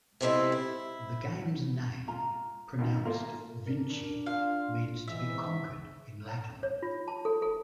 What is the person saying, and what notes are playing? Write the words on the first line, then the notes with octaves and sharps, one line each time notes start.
The game's name, pronounced "Vinchi", means "to be conquered" in Latin.
C3 G#3 C4 C#4 E4 A4
E4
F4 A#5
B2 D#3 F4
A3 A#3 F4 A#4
D4 A#4
F4 F5
G#2 C#3 E3 E5
C#5
F4
A5
A4
A4